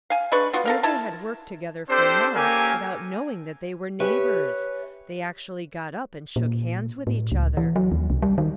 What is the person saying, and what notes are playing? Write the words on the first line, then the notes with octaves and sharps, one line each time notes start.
Here they had worked together for months without knowing that they were neighbors; they actually got up and shook hands with each other.
F5 G#5
G#3 D4 B4 C#6
B3 F4 F#4
A4 A#4 F5
E4 A5
C4 D4 G4 A4 C5
A#3 C#4 G4 A4 A#4 G#5
G4 B4 C#5 E5 G#5
A#2
A2
C#2
E3
F#3
D#2
C2
G3
D#3